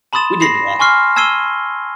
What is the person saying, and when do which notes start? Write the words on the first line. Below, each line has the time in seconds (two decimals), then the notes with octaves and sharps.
We didn't walk.
0.13 A5 B5 C6 D#6 A6 E7
0.42 B5 A#6 C7
0.79 G#5 C6 C#6 F6 C7
1.16 A5 E6 G#6 C7 D#7 G7